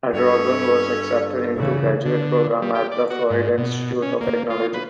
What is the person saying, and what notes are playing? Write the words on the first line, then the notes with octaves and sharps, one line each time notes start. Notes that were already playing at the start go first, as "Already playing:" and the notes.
Adragon was accepted into a graduate program at the Florida Institute of Technology.
G2 C#4 A4 B4 C#5
C#3 E3 A3 E4 F#4
D3
G3
G4
D5
F#4
G#2
B2
C#4
A#3
F4
B4